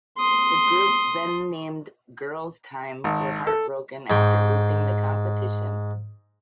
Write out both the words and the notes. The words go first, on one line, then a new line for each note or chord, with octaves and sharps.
The group, then named "Girl's Tyme" were heartbroken after losing the competition.
C6 D#6
G#1
A4
G#2 G5 C#6